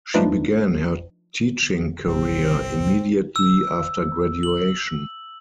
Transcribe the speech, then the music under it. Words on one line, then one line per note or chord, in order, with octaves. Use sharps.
She began her teaching career immediately after graduation.
F3 A3 D4 D#4 F4 B4
G1 C2 C4
E6
F#7